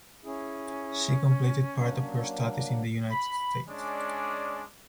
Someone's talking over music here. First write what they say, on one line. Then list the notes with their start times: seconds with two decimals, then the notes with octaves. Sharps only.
She completed part of her studies in the United States.
0.24 C#4 E4 G#4
1.75 F#3 A#3 D4
3.09 B5
3.69 G#3 C#4 D4 D5